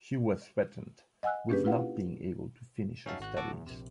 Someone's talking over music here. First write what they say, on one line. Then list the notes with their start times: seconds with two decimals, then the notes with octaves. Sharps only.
She was threatened with not being able to finish her studies.
1.23 D#5 F#5 G#5 E6 F#6
1.49 A#3 C#4 D4 G4 G#4 B4
1.64 E4 F4 B4 F5 F#5
3.06 C#4 D#4 F#4 E5 F5 A5
3.19 G#1 F#4 F#6
3.37 F#4 A4 A5 C#6 D6
3.52 E2
3.66 A#1 C3